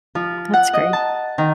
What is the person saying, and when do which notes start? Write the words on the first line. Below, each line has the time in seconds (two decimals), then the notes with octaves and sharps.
That's great.
0.15 F3
0.54 F#5
0.73 D#5
0.93 A5
1.38 D#3